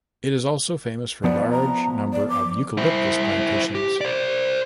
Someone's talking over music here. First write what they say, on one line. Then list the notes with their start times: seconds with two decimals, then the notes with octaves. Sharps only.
It is also famous for large number of "Eucalyptus" plantations.
1.24 F3 B3 D5
1.52 A#5
2.13 D5
2.29 D6
2.77 E4 C5
3.75 G4
4.01 C5 D5